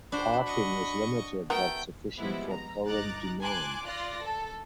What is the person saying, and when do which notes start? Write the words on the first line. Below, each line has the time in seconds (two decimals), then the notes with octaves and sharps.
Parking is limited but sufficient for current demand.
0.12 D4 F#4 C5 B5
0.46 D#5 C#6
1.50 A3 B3 F#4 A#4 G5
2.19 F3 G3 G#3 B3 C4 E4
2.52 A#5
2.87 G1 D#4 A#5 D6 F#6 A6
3.40 G#5 A5 C6 D6 F#6 G#6
3.85 F4 D5 C6 F#6 A#6
4.23 A4